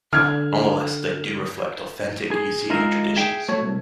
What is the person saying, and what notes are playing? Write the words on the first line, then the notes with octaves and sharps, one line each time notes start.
Nonetheless they do reflect authentic Yazidi traditions.
D3 F6 G#6
G#4
G#3 D#4 F4 G#4 A#4 E5
G#4 E5 G5
A3 F#4 C#5
C2